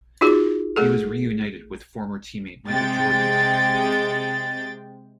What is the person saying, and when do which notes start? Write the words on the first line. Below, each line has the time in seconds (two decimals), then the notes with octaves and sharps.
He was reunited with former teammate Michael Jordan.
0.21 D#4 F4 F#4 G#4
0.76 A3 G#4 A4
2.69 C3 G#3 G5 A6